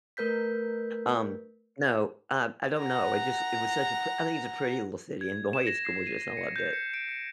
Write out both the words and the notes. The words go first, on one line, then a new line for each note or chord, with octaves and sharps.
Um, no, um, I don't know. It just it was such a pr I think it's a pretty little city, and boy, it's gorgeous. I loved it.
A3 A#4 B4 G6 B6
F#5 A#5
G#6
E7
A#6
C7
D#7
C#7
G6
C#7
D7
C#7